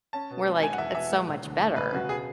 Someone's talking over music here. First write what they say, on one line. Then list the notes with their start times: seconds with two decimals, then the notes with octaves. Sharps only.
we're like, "It's so much better."
0.13 C#4 A5
0.30 B2
0.47 G#3
0.62 G#3 G#5
0.73 F#5
0.78 E2 E5
0.95 B2 E5
1.12 G#3
1.27 E1
1.44 D2
1.61 D2
1.76 E1 B4
1.93 C#3 F#4
2.09 B2 G#4